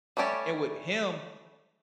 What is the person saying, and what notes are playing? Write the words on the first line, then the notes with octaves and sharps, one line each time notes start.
And with him,
G3 A3 C#4 G4 D5